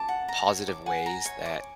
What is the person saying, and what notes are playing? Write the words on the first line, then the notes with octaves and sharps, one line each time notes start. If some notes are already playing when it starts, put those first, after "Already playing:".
positive ways that,
Already playing: A5 D6
F#5
A#5
C#5
D6
F#5 G#5
A#5
C#5
D6